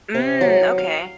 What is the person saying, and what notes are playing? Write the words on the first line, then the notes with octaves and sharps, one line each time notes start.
Mm, okay.
C3
F#3
F5